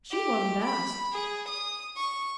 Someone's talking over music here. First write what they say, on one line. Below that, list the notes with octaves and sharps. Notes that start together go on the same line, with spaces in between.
She wasn't asked.
G4
B5
G#4
D#6
C#6